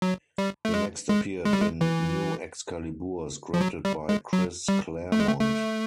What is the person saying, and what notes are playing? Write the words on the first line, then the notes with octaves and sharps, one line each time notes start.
He next appeared in "New Excalibur" scripted by Chris Claremont.
F#3
G3
A3
G#3
G#3
G#3
G3
G#3
E3
F3
F#3
G3
G#3
F#3
G3
A3
G#3
A3
A3